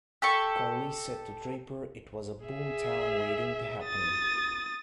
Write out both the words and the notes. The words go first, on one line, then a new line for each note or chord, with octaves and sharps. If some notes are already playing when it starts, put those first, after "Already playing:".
Carlise said that to Draper it was a boomtown waiting to happen.
G4 A4 C#6
G#4 E5
D#6 A6